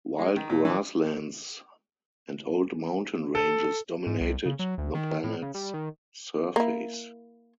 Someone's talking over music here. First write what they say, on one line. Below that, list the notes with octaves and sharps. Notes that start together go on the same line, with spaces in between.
Wild grasslands and old mountain ranges dominated the planet's surface.
G#3
D#3
A#2
E3
A4
G#2
C2
C#3
F#3
D2
D#3
A2
C#3
G3
D#3
A#3 E4